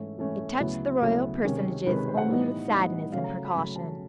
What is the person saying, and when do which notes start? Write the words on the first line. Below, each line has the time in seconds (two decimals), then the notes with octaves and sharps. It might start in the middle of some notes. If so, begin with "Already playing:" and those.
It touched the royal personages only with sadness and precaution.
Already playing: G#2 E3 A3 C#4 E4
0.17 G#2 E3 A3 C#4 E4
0.60 D2 C#3 F#3 B3 E4
1.01 D2 C#3 F#3 B3 E4 A4
1.44 C3 D#3 G#3 C#4
1.86 C3 D#3 G#3 C#4 B4
1.97 B4
2.08 C5
2.17 F#5
2.29 A2 E3 G3 B3 D#4
2.71 A2 E3 G3 B3 D#4
3.12 C#3 F#3 A3 C#4 F5
3.24 A#5
3.45 B5
3.55 C#3 F#3 A3 C#4 B5
3.76 A5